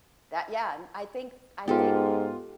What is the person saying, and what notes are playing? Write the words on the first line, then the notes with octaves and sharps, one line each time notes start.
that, yeah, and I think I think,
G#2 B3 F4 G4 A4